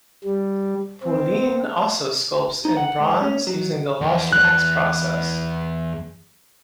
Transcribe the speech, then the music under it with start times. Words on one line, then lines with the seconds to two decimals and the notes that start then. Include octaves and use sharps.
Poulin also sculpts in bronze, using the lost wax process.
0.24 G3
1.03 C4
2.65 D#4
2.77 F#5
3.00 G#2
3.21 C#4
3.47 F#3
4.01 E2
4.33 F#6